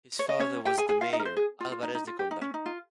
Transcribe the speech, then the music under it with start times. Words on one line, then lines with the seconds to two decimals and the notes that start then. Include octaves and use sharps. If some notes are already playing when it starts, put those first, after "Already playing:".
His father was the Mayor Álvarez de Condarco.
0.19 C#5
0.29 D#5
0.39 C#4 C#5
0.65 G4 G5
0.78 G#4 G#5
0.89 G#4 G#5
1.01 F4 F5
1.13 D#4 D#5
1.19 A#4
1.25 C5
1.36 G#4
1.60 F4
1.72 F4
1.83 D#4
1.95 D#4
2.07 F4
2.19 G4
2.31 D#4
2.42 C#4
2.54 D#4
2.66 F4